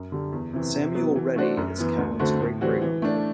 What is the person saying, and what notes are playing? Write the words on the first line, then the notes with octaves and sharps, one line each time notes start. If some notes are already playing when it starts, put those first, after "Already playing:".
Samuel Rettie is Cowan's great-great uncle.
Already playing: F#2
D3 G3
E2
C3 E3
C3
F#3 B3
E3
A3 D4 F#4 C5
F#2
E3 B3
D2
D3 A3 C4 F#4
A2
E3 G3 C4 F#4
E3
A3 D4